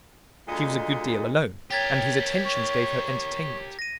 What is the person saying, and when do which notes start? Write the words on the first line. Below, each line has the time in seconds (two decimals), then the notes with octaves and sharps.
She was a good deal alone, and his attentions gave her entertainment.
0.48 D2 A#2 G#3 D#5
1.71 G4 A#4 C#5 G5 G#6 A6 B6
2.45 C#6
3.79 A#6 D#7